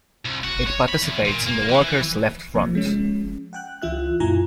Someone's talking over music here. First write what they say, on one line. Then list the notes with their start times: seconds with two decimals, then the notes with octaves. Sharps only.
It participates in the Workers' Left Front.
0.25 C2
0.44 F#4
0.67 C#5
0.89 B5
1.02 E2
1.25 A#2
1.47 A#3
1.69 E3
2.54 C3 F3 A#3
2.73 F3 G#3 C#4
3.53 F#5 G5 F#6
3.82 C#2 E3 F4 E5 F#6
4.20 F#2 A#2 E4 F4 G#5 A#5